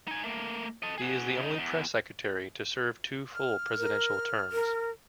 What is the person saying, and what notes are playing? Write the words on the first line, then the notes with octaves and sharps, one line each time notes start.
He is the only press secretary to serve two full presidential terms.
D#4 G#5
A3 A#3
A4 D#5
F#4 G#4
C#3 D#4
E2
F6
A#4
A#4